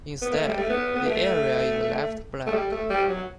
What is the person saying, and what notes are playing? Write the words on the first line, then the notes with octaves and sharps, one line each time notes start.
Instead, the area is left blank.
B3
A3
G3
A3
B3
B3
A3
A3
G3
A3
G3
F#3